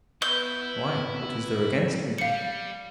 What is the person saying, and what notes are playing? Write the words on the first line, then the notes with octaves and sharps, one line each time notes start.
"Why, what is there against him?"
B3 E4 B4 G6
G3 F5 C#7